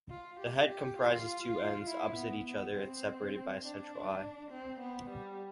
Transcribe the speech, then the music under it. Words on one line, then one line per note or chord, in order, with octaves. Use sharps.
The head comprises two ends, opposite each other and separated by a central eye.
F4
G4
G4
F4
E4
B3
B3
C4
D4
C4
B3
G3